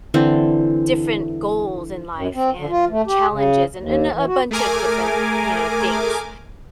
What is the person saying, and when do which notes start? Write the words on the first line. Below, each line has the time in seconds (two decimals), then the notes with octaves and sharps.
different goals in life and challenges and and a bunch of different, you know, things.
0.14 D3 E3 C4
2.15 F#2
2.34 C4
2.58 D3
2.70 F4
2.89 A3
3.07 G4
3.30 C#3
3.77 D#2
4.12 E3
4.26 F#4
4.51 A3 G#4 A#4 G#5 D6